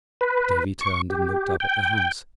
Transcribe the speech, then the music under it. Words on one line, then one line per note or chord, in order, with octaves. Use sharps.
Davy turned and looked up at the house.
B4
C#6
G4
G5